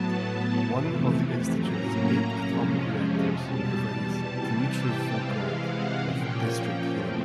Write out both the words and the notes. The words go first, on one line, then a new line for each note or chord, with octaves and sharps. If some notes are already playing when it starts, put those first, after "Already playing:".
One of the institute's eight atomic reactors provides Dimitrovgrad with district heating.
Already playing: A2 F#3 B3 A5
F2 C3 E3 A3
A2 F#3 A#3 C#4 A#5
F2 C3 F3 G#3 C#4
E2 B2 G3 A5
C3 E3 G3 A5
G5
C3 E3 G#3 F5
F#5
A#2 F3 A#3 C#4 G5
E2 C#3 F3 A3 C4